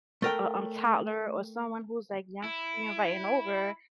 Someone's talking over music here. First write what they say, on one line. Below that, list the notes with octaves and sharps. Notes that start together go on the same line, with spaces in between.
a, um, toddler or someone who's like younger you're inviting over,
A3 A#4 G5
E4